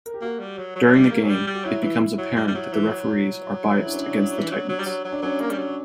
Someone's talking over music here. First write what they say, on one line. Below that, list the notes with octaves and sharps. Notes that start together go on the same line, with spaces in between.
During the game, it becomes apparent that the referees are biased against the Titans.
A#4
G4
A#3 F#4
G3
F#3
F#3
F#3
G3
A#3
F#3
G3
G3 G4
F#4
F#3 E4
E3
F#3
G3
G3
F#3
E3
F#3
E4
D4
C#4
D4
E3
F#3
F#3
G3
F#3
F#3
D4
F#3 C#4
A#3
G3
F#3